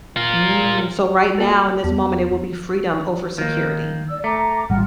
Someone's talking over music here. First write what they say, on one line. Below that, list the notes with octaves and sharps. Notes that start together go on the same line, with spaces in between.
Mm, so right now in this moment, it will be freedom over security.
F4 A#4
A#3 F#4 A4
E2 B3
D#3 A#3
D5 E6
A3 A#5 D6
A1 G3 F4 F#5 F6